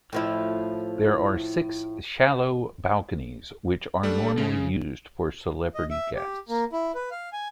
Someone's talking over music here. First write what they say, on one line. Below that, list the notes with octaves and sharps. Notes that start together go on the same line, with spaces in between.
There are six shallow balconies which are normally used for celebrity guests.
A2 F3 E4
G3 A3 D4 A4
C#3 G#3
D#5
E5
G4
A#3
E4
B4
F5
G#5